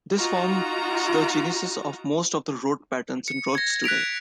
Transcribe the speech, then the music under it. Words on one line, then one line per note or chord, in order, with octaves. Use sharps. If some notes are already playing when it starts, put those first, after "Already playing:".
This forms the genesis of most of the road patterns in Rothes today.
D#4 F4 F#4 A#5
C#7
G#6 A#6
F#6 B6 D7 F7